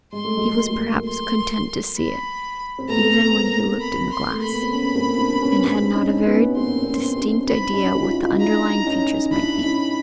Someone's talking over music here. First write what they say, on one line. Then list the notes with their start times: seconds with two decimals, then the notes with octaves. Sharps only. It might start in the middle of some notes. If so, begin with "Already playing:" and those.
He was, perhaps, content to see it, even when he looked in the glass, and had not a very distinct idea what the underlying features might be.
0.12 G#3 C6
0.25 A3
0.37 F#3 G#3
0.58 A#3
0.66 A3
0.73 G#3 A#3
1.05 C6
1.97 B5
2.78 C4
2.88 A3 B3 A#5
3.30 B3
3.34 A#3 C4
3.80 B5
4.11 C6
4.31 A3
4.40 A#3 B5
4.52 B3
4.62 C4
4.72 B3 C#4
4.95 A#3 C4
5.18 C4 D4
5.41 B3 C#4
5.64 C4 D4
5.83 D4
5.95 C#4 D#4
6.25 B3 C#4
6.56 A#3 C4 C6
6.83 C4
6.87 B3 C#4
7.18 C4 D4
7.48 D#4 B5
7.60 D4
7.72 C#4 D#4
7.94 F#4
8.03 F4
8.13 E4
8.22 D#4 F4
8.40 D4 E4 A#5
8.86 C#4 D#4
9.32 D4 E4 B5
9.53 E4
9.63 C#4 D#4